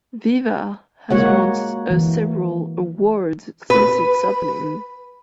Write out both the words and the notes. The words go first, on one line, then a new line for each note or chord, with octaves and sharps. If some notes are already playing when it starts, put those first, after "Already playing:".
Viva has won a several awards since its opening.
G#3 A#3 F#4 C#5 F#5
E3
B4